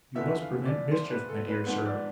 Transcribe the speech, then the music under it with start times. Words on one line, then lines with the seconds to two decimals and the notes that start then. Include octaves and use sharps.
You must prevent mischief, my dear Sir.
0.15 E2 D3 F3 B3 E5
0.41 F5
0.66 D5
0.91 C5
1.10 B4
1.29 A4
1.48 B4
1.67 G#2 F3 B3 C5
1.85 D5